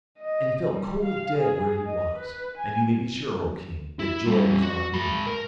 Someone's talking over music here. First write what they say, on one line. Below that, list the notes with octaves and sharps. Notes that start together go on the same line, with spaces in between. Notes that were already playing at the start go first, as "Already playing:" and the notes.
And he fell cold dead where he was; and you may be sure, O king, that joy was on me.
D#5
G3
F5
G#4
D#5
B4
G#5
E4
G3 C#4
F#4
G#2 B5
A#4